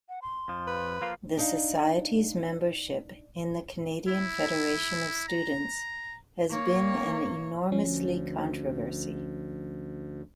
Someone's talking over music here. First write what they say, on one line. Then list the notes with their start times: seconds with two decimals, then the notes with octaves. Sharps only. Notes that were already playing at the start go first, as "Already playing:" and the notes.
The society's membership in the Canadian Federation of Students has been an enormously controversy.
0.09 F#5
0.22 C6
0.48 F2 F3
0.67 B4
1.02 F3 A#3 F4
1.37 D4 D#4 F5
4.08 E4
5.28 A#5
6.50 A#3 C#5
7.72 D2 F3 C#4